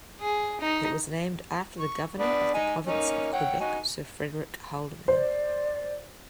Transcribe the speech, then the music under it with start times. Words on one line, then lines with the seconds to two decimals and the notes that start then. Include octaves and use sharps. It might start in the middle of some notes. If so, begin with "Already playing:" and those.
It was named after the governor of the Province of Quebec Sir Frederick Haldimand.
0.20 G#4
0.61 D#4
1.80 C#6
2.19 B3 D4 D5
2.54 D#4 G#5
2.87 A#3 C#4 D#4
3.33 C#5 F#5 G5
3.60 D#4 F#4 G#5
5.08 C5 D5